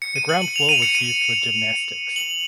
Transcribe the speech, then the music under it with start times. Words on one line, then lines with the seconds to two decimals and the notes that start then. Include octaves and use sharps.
The ground floor was used for gymnastics.
0.02 C#7
0.16 D#7
0.29 F#7
0.42 F#7
0.56 F7
0.69 D#7
0.82 C#7
0.95 D#7
2.16 F#7